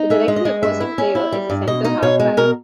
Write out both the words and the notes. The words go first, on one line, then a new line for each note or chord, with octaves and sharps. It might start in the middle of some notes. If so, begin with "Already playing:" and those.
The directly opposing player is a centre half-back.
Already playing: D#4
G#3 E5
G#3
D#5
G#3
G2 E5
E4
C#4
E4
G3
G2
B2 D#5
D#4 D#5
B2 C#5
G#3
B2 A#4